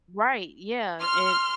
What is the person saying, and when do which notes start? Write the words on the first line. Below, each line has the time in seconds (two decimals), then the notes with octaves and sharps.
right, yeah, and
1.02 C6 F6